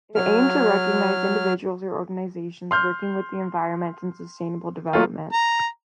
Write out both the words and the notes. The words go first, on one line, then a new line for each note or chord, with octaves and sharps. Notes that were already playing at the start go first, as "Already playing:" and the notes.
It aimed to recognize individuals or organizations working with the environment and sustainable development.
F#3 F6
C6 F6 G6
F#3 A3 A#3 F4
A#5